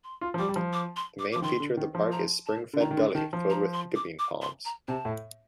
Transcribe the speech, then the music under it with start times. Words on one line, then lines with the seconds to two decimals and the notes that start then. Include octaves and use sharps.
The main feature of the park is spring-fed gully filled with piccabeen palms.
0.04 C6
0.21 F4
0.34 F3
0.39 G3 D6
0.49 G3
0.56 F3
0.73 D6
0.96 C6
1.19 D6
1.32 F3 D6
1.42 D#3 C6
1.60 D3
1.77 D#3
1.95 F3
2.12 A#5
2.46 A5
2.73 D3
2.80 D#3 A#5
2.91 D#3
2.97 D3
3.15 D#3 A5
3.33 F3
3.50 A#5
3.73 C6
3.95 D6
4.19 D6
4.42 C6
4.65 A#5
4.88 C3 A5
5.05 A2